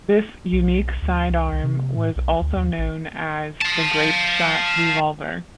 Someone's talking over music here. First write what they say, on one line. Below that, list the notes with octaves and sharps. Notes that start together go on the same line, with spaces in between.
This unique sidearm was also known as the Grape Shot Revolver.
B1
D2
C2
C2
C3
A2
B1
D2
D#2
A1
F5 A5